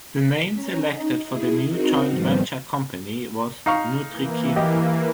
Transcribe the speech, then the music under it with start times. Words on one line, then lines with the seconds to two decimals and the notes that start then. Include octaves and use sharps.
The name selected for the new joint venture company was Nutricima.
0.12 B6
0.55 C#4 A#5
0.89 D#4
1.26 E4 G#4
1.68 C4 D#4 F#4 A#4
2.10 G#2 D#3 F3 G3 B3 C4
3.66 D#4 F5 C#6
4.08 E3 A#3
4.56 G4 D#5